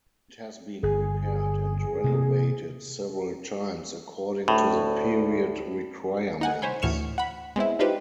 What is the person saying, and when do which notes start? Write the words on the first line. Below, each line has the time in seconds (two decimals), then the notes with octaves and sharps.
It has been repaired and renovated several times according to the period requirements.
0.83 G1 G#4
2.04 C3 A#3
4.48 D2 A2
6.41 D#4 F#5 G#5
6.62 C5 C#5 G#5 B5 C6
6.82 D2 A2 E3 C#6 F6 E7
7.18 F#5 B5
7.56 G#3 B3 C4 E4
7.79 D4 D#4 F4 G4 B4 C5